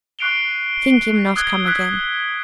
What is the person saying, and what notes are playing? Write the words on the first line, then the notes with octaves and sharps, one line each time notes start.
Think him not come again.
C#6 F#6 C7 D7 F7 G7
D#6 E6 F#6 G#6 G7
E6 F#6 B6